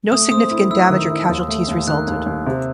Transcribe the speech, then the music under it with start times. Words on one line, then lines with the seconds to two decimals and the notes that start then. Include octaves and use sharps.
No significant damage or casualties resulted.
0.12 A3 D#6
0.31 C4 D#6
0.51 E4
0.70 E4 E6
0.90 D#3
1.10 E4
1.29 D#2
1.48 A3
1.68 D#2
1.88 D#3 F#6
2.07 D#2
2.26 D#2
2.46 C3